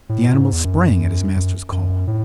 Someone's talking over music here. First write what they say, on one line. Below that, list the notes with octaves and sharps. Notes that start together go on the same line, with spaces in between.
The animal sprang at his master's call.
A2
B2
A2
G#2
E2
F#2
F#2
F#2
A2